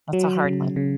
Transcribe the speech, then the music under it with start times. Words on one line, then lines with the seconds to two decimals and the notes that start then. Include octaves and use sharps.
That's a hard one.
0.13 F#3
0.45 C#3
0.76 C#3